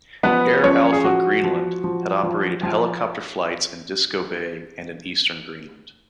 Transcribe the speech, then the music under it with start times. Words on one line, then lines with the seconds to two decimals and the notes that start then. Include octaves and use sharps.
Air Alpha Greenland had operated helicopter flights in Disko Bay and in eastern Greenland.
0.23 F3 B3 B4
0.63 F3 C#4 C#5
0.93 G#4
1.04 F3 F#4
1.44 F3
1.84 F3
2.23 F3
2.63 F3